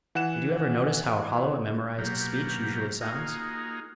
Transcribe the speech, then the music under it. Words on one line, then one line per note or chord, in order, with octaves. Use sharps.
Did you ever notice how hollow a memorized speech usually sounds?
E3 F#5 F#6 E7
B2 F#3 A#3 G4
A#3 D#4 F4 F#4 G#4